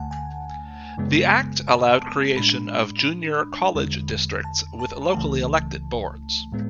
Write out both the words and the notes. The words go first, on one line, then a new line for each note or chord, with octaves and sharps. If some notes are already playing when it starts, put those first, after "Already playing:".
The act allowed creation of junior college districts with locally elected boards.
Already playing: D2 D3 A3 F#5 G#5 A5
G#5
F#2 C#3 G#3 B3
A5
A2 G#3 D4 B5
E2 D3 G#3
A5
A5
C#2 C#3 E3 A3
A2 G#3 B3